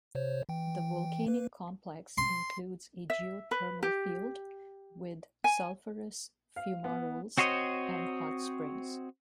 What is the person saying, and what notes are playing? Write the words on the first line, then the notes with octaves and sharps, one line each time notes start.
The volcanic complex includes a geothermal field with sulphurous fumaroles and hot springs.
C3 C5 C#5
E3 G5
A#3 B4
C6
E5
B4
G4
G#5
F5
B3
C4 F#4 C5 C#5 D#5